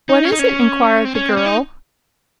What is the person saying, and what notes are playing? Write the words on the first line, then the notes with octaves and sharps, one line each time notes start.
"What is it?" enquired the girl.
D#4
C#4
D#4
C#4
C4
C#4
C4
C#4
D#4